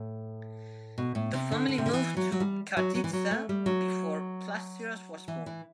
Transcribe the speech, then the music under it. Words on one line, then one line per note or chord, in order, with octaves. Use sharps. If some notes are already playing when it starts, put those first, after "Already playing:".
The family moved to Karditsa before Plastiras was born.
Already playing: A2
B2
A2
C3
D3
D3
C3
D3
E3
F#3
F#3
G3
F#3
F#3
E3
F#3
A3
G3
F#3
E3
E3